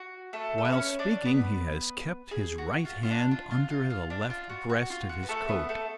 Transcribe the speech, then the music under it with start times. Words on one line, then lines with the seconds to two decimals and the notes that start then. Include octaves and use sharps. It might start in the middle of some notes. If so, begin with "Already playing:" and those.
While speaking he has kept his right hand under the left breast of his coat.
Already playing: F#4
0.33 A3 A4
0.58 A4
0.65 B4
0.72 C#4 C#5
0.99 D4 D5
1.25 B3 B4
2.31 G#4
2.58 F#4
2.85 F4
3.03 F4
3.11 D4
3.31 F4
3.51 F4
3.70 F4
3.90 F4
4.10 D4
4.30 F4
4.50 F#4
4.69 F#4
4.90 F4
5.09 F#4
5.23 B4
5.29 A3 A4
5.49 B3 B4
5.69 A3 A4